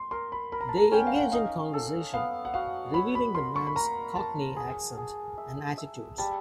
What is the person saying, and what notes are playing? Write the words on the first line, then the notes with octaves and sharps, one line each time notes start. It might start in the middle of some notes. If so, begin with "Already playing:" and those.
They engage in conversation, revealing the man's Cockney accent and attitudes.
Already playing: C6
A#4 C6
B5
A#4 B5
A#5
A5
A#5
C#4 G5
F#5
F5
F#5
D#4 F5
A4
B3 F5
F#5
F#4 F5
C#5 B5
B5
A#4 C6
C#6
B5
A#4 A#5
A#4 A5
G#4
G#4
E5
E5
G3 A5